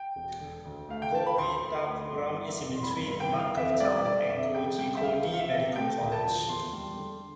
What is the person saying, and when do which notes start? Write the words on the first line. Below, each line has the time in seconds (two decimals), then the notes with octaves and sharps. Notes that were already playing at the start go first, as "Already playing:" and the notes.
Govindapuram is in between Mankav town and Kozhikode Medical College.
Already playing: G5
0.16 E1
0.40 D3
0.65 D2
0.89 A3 F5
1.02 G5
1.14 D3 A5
1.26 B5
1.37 D2 C6
1.62 D2
1.75 C6
1.87 A3
2.11 G1
2.35 E3
2.60 F2
2.76 C6
2.83 G1 B5
3.08 G1
3.20 G5
3.32 E3
3.38 F5
3.56 F2 E5
3.80 G3 D5
4.05 D3 D5
4.29 F2 E5
4.54 F2 G5
4.78 G3 G5
4.97 E5
5.02 D2 F5
5.26 F3
5.33 F5
5.40 E5
5.51 C3
5.76 A3 G5
6.01 D2
6.12 A5
6.25 F3
6.48 E2 C6
6.73 G3
6.97 D3